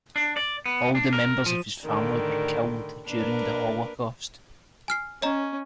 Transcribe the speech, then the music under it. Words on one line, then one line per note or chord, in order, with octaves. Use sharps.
All the members of his family were killed during the Holocaust.
D4
D5
B3
D4
A#4
F3
A2 D3 D#3 G3
A#3 D4 A#4 B4
G#5 F6 C7
C#4 C#5 D#5 A#5